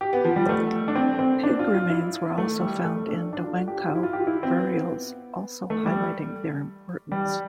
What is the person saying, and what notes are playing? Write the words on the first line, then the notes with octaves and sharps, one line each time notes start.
Pig remains were also found in Dawenkou burials also highlighting their importance.
G4
B3
F3
G3
A3
D4
C4
C4
D4
F4
F4
E4
A3
G3
A3
D4
D4
F4
G4
G4
F4
E4
F4
G4
F4
E4
C4
B3
A3
G3
G3